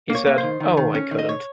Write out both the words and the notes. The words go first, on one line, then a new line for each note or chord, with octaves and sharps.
He said, "Oh, I couldn't".
A#3
C#5
A#3
C5
D#3
D#3
D#3
C#4
D#3
D#5
C#5